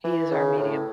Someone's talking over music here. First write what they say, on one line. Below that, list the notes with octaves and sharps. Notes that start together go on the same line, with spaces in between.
'He is our medium.
E3
C#3
A2